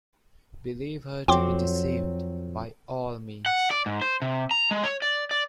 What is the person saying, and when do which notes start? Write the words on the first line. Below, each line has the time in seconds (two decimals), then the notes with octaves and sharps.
Believe her to be deceived, by all means.
1.28 F2 F#3 C4 G5 C6 D6
3.46 F#5
3.71 D5
3.86 G#2
4.01 C5
4.22 C3
4.51 A#5
4.71 G#3
4.84 C#5
5.02 D5
5.31 D5